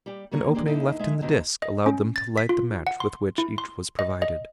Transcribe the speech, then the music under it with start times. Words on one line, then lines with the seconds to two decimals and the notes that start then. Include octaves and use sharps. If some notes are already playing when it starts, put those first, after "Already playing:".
An opening left in the disc allowed them to light the match with which each was provided.
0.06 G3 G4
0.31 G3 A#3 C#5
0.54 G#3 D4 G4 C5
0.66 D3 D#4 E4
0.99 G#3 E5
1.22 D#2 G#2 B2 D3 D#3
1.62 D#5
1.86 C#4
2.16 A6
2.37 B6
2.49 F4
2.87 F#5
3.00 C6
3.38 E4
3.58 C6
3.99 D#5
4.22 D#5